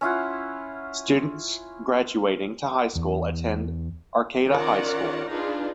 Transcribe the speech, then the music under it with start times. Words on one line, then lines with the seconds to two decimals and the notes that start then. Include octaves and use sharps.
Students graduating to high school attend Arcata High School.
0.01 C#4 E4 F4 F#5
2.96 E2
4.47 D#3 C#4 F4 D5 F#5 A#5
5.28 D4 D#4 F4 G#4 B4